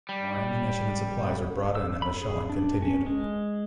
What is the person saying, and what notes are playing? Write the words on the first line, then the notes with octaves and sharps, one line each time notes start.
More ammunition and supplies were brought in and the shelling continued.
G3
E6
B5
G#4
D4
C#4
G#3